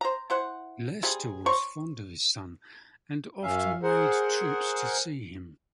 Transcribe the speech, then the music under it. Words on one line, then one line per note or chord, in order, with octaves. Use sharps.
Leicester was fond of his son and often made trips to see him.
C5 A#5
E4 C5 F#5
C3 G3 G#4
C5 C#5 A#5 C#6
F#2 C#4 E5 F5
G#4 A#4 C5 F#5